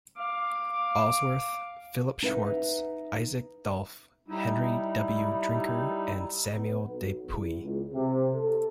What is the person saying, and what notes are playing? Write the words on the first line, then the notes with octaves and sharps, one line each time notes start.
Allsworth, Philip Swartz, Isaac Dolph, Henry W. Drinker, and Samuel De Puy.
F5 D6
D#4 B4 E5 F#5
G3 D#4 E4
B3
B1
E2
C#2
C3
A4